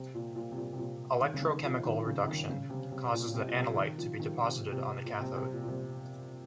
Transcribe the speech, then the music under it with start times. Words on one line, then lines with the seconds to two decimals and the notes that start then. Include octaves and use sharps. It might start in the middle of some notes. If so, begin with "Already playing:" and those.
Electrochemical reduction causes the analyte to be deposited on the cathode.
Already playing: C3
0.14 A#2
0.36 A#2
0.52 C3
0.57 A#2
0.73 C3
0.78 A#2
1.21 D#3
1.34 C#3
1.42 D#3
1.64 F3
1.85 D#3
2.06 C#3
2.28 D#3
2.49 C#3
2.70 C3
2.91 C3
3.13 A#2
3.28 A#2
3.34 C3
3.48 A#2
3.55 C3
3.69 F3
3.77 D#3
3.98 F3
4.20 D#3
4.40 C3
4.72 C3
5.05 A#2
5.20 C3
5.36 C3
5.53 A#2
5.64 A#2
5.68 C3